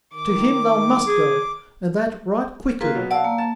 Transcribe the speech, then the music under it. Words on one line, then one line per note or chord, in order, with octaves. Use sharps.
To him thou must go, and that right quickly.
D#3 D6
G#4
A#3 F4 F#4 G#4 B4
B2 F#3
D5 F5 F#5 A5 E6
A#3
A5